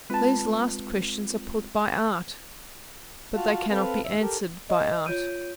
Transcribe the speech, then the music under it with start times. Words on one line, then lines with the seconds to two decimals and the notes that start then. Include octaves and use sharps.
These last questions are put by Art, but they cannot be answered by Art.
0.10 G#3 C4 F4 B4 A5
3.36 F4 F#4 F5 A5
3.70 C4 A4 B4 F5
4.04 D#2 E5
4.21 G4 A4 A#4
4.70 D#5
5.06 F4 C#5 G6 D7 D#7